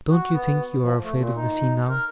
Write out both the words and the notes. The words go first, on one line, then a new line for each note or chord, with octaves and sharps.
'Don't you think you are afraid of the sea, now?'
F#4
B3
F3
A3
A#2
D#4
A#4